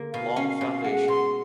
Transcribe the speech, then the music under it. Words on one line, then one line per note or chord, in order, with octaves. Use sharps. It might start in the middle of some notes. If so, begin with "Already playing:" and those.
Long Foundation.
Already playing: D3 A#3
B2 F5
C#4
F5
B2
G#3 F#5
B2 C6